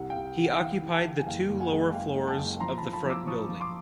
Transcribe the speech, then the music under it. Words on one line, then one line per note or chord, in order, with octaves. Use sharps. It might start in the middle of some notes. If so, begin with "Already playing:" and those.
He occupied the two lower floors of the front building.
Already playing: C2 C3 F#5
F5 G5
C3
E3
F#5
E3 F5 G5
E3
G5 A5
E3
G#5
F#1 F5 G5
F#1
F#5 G#5
G#3
G#3 F5 G5
G#3
G5 A5
F#1
F3 A#5 C6
F3 A5 B5
A5 B5
F3
D6 E6
F3 C#6 D#6
F3
C6 D6